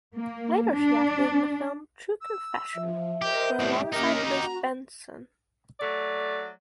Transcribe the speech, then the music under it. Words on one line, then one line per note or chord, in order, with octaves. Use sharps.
Later she acted in the film "True Confession" where alongside Liz Benson.
A#3
D4
E6
F3 E5
G4 A#4 C5 D#5 G6
C2 A2 G4
A#3 C#4 D#4 G4 A#4 C7
F#4 A#5
F#3 A3 D5